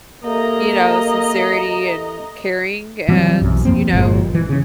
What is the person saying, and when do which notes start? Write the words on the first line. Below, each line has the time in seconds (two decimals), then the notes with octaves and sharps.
you know, sincerity, and caring and, you know,
0.24 A#3 G4 A4 D#5 E5 A#5
3.08 E3 F#3 G3 C4
3.41 B1 F#2
3.65 F2 F3 A#3 C4
3.93 G1 A#2 F3 G#3
4.34 E3
4.49 C#3 C#4